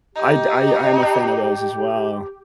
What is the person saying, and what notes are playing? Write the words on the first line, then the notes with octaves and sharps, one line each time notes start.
I'd I I am a fan of those as well.
D#4 G4